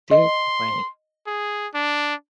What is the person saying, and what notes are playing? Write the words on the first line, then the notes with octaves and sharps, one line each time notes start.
this way
D#5 C6
G#4
D4